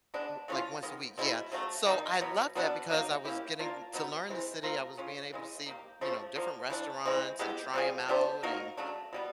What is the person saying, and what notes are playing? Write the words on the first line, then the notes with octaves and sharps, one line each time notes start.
L like once a week, yeah. So I love that because I was getting m to learn the city, I was being able to see, you know, different restaurants and try 'em out and
G#3 B3 D4
E3 A3 C#4 F4
D#3 G#3 B3
B2 G#3 C4 E4
C#3 F#3 A3
D#3 G3 A#3 D#4
B2 F#3 B3
B2 F#3 B3 D4
F#3 A#3 D#4
A#3 C#4 E4 G4
A#3 D4 F4 A#4
B2 F#3 B3 D#4
C3 E3 G#3 C4
A3 C4 F4 A#4
G#3 C#4 F4
C#3 E3 G#3
A#3 D#4 G4
C#3 F3 A3
D3 F3 A#3
E3 A3 D4
E3 G#3 C4
G#3 B3 E4 G4
G3 C4 F4 G#4
B3 D4 G4 C5
A#3 D#4 F#4 A#4
C#3 F#3 A3 D4
B2 G3 B3